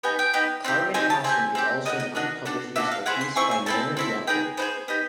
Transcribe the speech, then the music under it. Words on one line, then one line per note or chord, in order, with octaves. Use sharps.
Carmen Possum is also an unpublished musical piece by Normand Lockwood.
B3 D#4 G4 G#5
G5
B3 D#4 G4
C4 D#4 G4
C4 D#4 G4 G#5
A5
C4 E4 G4 G#5
C4 E4 G4
A#3 D4 F#4 D#5
D#5
A#3 D4 F#4 D#5
D4 F#4 A4
D4 F#4 A4 E5
F5
C4 E4 G#4 F#5
C6
C4 E4 G#4 C#6
G#5
C4 E4 A4 A5
C4 E4 A4
B3 D#4 G#4 G5
B3 D#4 G#4 C5
B3 D#4 G4